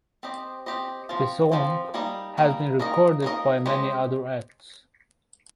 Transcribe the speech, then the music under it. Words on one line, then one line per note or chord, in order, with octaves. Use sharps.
The song has been recorded by many other acts.
C4 G4 C5 D#5
C4 G4 C5 D#5
F3 C4 F4 C5
F3 C4 F4 C5
G3 A#3 D#4
G3 A#3 D#4
A#3 D#4 A#4 D#5
A#3 D#4 A#4 D#5
G#3 C#4 G4 C5 D#5